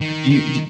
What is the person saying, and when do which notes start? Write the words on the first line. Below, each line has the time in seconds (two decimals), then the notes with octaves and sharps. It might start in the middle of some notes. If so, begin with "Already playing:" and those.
Do you do
0.01 D#3
0.29 D#3